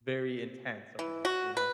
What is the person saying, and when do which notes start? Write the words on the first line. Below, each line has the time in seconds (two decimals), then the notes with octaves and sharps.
very intense over there, you know?
0.99 E3
1.25 F#4
1.57 B4